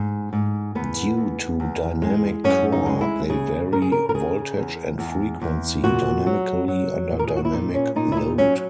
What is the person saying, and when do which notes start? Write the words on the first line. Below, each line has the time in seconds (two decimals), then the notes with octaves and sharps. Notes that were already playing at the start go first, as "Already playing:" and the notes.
Due to dynamic core they vary voltage and frequency dynamically under dynamic load.
Already playing: G#2
0.33 G#2
0.75 E2 B3
1.17 E2
1.60 E2
2.02 G#3
2.44 F#2 C#4
2.72 D#4
2.87 G#3
3.01 E4
3.30 C#3 G#4
3.72 C#3 A#4
3.82 G#4
3.92 A#4
4.09 A#4
4.14 C#3 G#4
4.57 E2
4.99 E2
5.42 E2
5.84 A#2 F#4
6.26 F#3
6.68 F#3
7.11 A#2
7.19 A#4
7.28 G#4
7.36 F#4
7.45 E4
7.53 A#2 D#4
7.74 C#4
7.96 A#2 D#4
8.12 E4
8.17 D#4
8.38 F#3 C#4